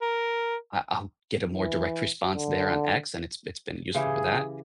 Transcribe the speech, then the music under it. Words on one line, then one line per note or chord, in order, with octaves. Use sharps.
I I'll get a more direct response there on X, and it's it's been useful for that.
A#4
E3
D3
C#3 E3 G4 G#4